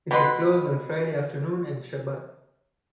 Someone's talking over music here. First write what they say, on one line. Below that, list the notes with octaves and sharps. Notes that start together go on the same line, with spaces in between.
It is closed on Friday afternoon and Shabbat.
B2 B4 C6